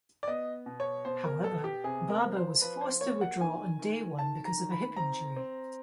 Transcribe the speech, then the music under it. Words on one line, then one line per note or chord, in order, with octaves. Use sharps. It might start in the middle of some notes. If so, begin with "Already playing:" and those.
However, Barber was forced to withdraw on day one because of a hip injury.
D5
B3 D#5
B2
C#5
B2 C5
A#4
B3 A4
G4
C3 G#4
A#4
F3
C5
F3 B4
C5
A#3 C#5
F#5
D#3 G#5
D#3
D#3 A5
A#5
D#3
B5
C4 A#5
C4